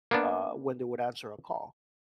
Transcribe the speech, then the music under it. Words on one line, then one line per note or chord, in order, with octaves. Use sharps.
uh, when they would answer a call.
A#3 B3 D4